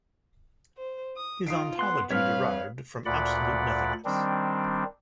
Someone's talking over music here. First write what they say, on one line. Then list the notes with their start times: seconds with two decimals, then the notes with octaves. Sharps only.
His ontology derived from absolute nothingness.
0.77 C5
1.16 D#6
1.46 D#4 F4 D#6 C7 D7
1.79 B3 C6 F#6
2.11 G2 C4 B4 C#5 F5 F6 B6
3.06 D2 A#2 D5 F#5 B5
4.05 D#3 G3 C4 D4